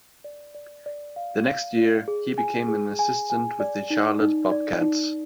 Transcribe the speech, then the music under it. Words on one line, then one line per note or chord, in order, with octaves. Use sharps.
The next year, he became an assistant with the Charlotte Bobcats.
D5
D5
D5
F5
F5
D5
G#4
G#5
G#4
G#5
G#5
D5
D#4
D#4
D5
D#4